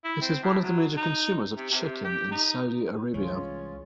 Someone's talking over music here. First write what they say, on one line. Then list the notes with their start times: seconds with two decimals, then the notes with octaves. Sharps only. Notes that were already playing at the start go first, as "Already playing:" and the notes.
It is one of the major consumers of chicken in Saudi Arabia.
0.04 E4
0.22 C4
0.43 A2
0.63 F#3
0.97 D#4
1.57 C3
1.71 C3
2.04 G4
2.32 D#4
3.14 C2 E3 G#3 C#4 F4 C#5